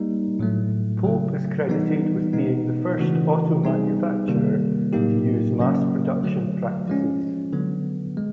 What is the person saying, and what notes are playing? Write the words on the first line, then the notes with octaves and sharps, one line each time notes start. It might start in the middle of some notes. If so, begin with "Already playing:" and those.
Pope is credited with being the first auto manufacturer to use mass production practices.
Already playing: G3 A#3 D#4
A2 F#3 A3
C#3 F#3 A3
E3 G3 B3 D#4
B2 G#3 B3 D#4
C#3 E3 A3 D4 F#4
G3 B3 D#4 G#4
C3 D#3 G3 A#3
A2 F#3 A#3 D#4 G4
C#3 F#3 A#3 C#4
D3 F#3 A3
F3 G#3 C#4
D3 F#3 B3
G#3